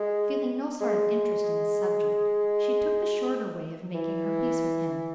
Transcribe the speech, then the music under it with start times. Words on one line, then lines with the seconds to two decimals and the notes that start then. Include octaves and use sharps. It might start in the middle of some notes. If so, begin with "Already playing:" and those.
Feeling no sort of interest in the subject, she took the shorter way of making her peace with him.
Already playing: G#3
0.81 G#3
3.95 E3